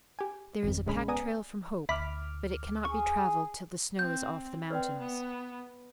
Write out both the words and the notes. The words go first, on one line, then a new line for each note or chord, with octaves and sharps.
There is a pack-trail from Hope, but it cannot be travelled till the snow is off the mountains.
G4 G#5
G#1 F2
A#1 C#3 G#3 C#4 G#4 B5
B3 D5 G#5 A#5 D#6
D2 E5 B5 D6 F6 B6
G#4 C#6
C4 G6
C4 B4 D5 G5
B3